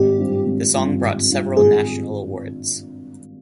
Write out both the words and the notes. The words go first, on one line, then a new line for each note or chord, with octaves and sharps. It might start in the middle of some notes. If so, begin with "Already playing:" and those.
The song brought several national awards.
Already playing: G#1 G4
G2 G3 C4 F4
G#1
G2 G3 C4 F4
G#1
G2 G3 C4 F4
G#1 G#4